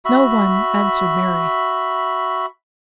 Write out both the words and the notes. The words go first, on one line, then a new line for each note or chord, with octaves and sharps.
"No one!" answered Mary.
F#4 E5 B5